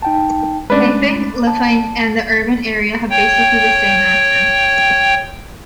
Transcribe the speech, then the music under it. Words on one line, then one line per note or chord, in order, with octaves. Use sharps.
Haifeng, Lufeng and the urban area have basically the same accent.
D#4 G5 A5
G#3 A3 C#4 D4 B4
A5
C#5 G5